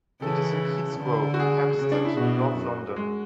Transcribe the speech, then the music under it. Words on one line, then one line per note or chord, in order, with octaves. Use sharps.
It is in Keats Grove, Hampstead, north London.
C#3 E3 A4
D3
F#4
G#4
C#3
D4
E4
B2 F#4
F#2
G#3